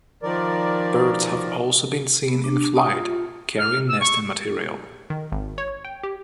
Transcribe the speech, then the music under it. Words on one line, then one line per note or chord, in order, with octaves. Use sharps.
Birds have also been seen in flight carrying nesting material.
D#3 F3 A#4 D5
B3
D4
D#6
F4
F6
E6
C#6
D#3
G#1
C#5
G5
G4